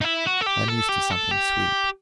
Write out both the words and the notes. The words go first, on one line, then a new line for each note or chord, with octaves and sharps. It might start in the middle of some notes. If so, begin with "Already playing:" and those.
I am used to something sweet.
D#4
E4
F#4
A4
G4
A4
G4
A4
G4